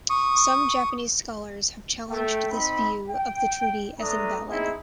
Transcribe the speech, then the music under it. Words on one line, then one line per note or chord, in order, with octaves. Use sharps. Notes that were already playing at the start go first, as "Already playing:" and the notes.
Some Japanese scholars have challenged this view of the treaty as invalid.
C#6 D#6
A3 G5
C4 D#4 B5
G5
A3 D4 B4 A#5 D#6
C4 D#4 E4 G#4